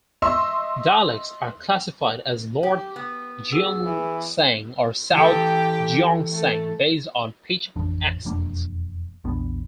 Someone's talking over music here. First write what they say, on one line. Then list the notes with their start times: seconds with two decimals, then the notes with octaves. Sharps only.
Dialects are classified as North Gyeongsang or South Gyeongsang based on pitch accent.
0.22 D#5 E5 C6 C#6 E6
2.63 G4
2.96 B3
3.52 F#4 G#4 E6
3.84 E3
5.13 E3 G4 A4 G5
6.31 A3
7.76 A1 F2 D4
8.25 E1 F2 A#3 D4
9.24 A#1 E2 B3 D4